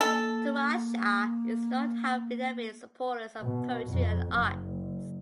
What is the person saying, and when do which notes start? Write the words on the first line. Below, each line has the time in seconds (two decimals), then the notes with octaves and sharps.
Turanshah is known to have been an avid supporters of poetry and arts.
0.01 A#3 A4
3.41 B2
3.89 F2
4.33 F#1